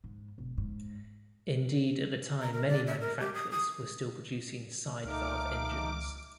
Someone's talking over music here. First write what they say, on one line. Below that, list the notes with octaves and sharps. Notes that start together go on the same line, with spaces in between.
Indeed at the time many manufacturers were still producing side valve engines.
G#2
E1
G#2
A#5
A#4
D5
E5
A#4
G4
D#6
D#6
C#2 A3 A#3 D#4 G5 D6 F6